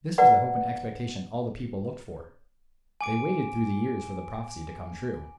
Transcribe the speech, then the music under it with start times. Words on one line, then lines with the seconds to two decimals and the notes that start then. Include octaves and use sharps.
This was the hope and expectation all the people looked for; they waited through the years for the prophecy to come true.
0.18 B4 D5 F#5 A#5
3.01 G#5 D6 D7